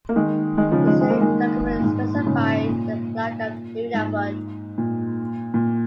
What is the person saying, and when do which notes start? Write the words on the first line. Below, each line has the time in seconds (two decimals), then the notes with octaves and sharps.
The same document specified the flag of Nunavut.
0.09 A#3
0.16 D#3 G#3
0.58 D#3 G#3
0.72 C#3 F3
0.87 D#3 G#3
1.01 G#3
1.10 A#3
1.21 D#3 G#3
1.80 A#2
1.84 G#2
2.15 A#2
2.26 G#2 C#3
2.69 A#2
3.94 G#2
4.78 A#2
5.54 A#2